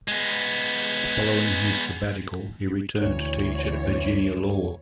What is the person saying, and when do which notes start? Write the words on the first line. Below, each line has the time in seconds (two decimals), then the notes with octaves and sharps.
Following his sabbatical he returned to teach at Virginia Law.
0.08 G#3 B3
2.99 D2 E3 C#5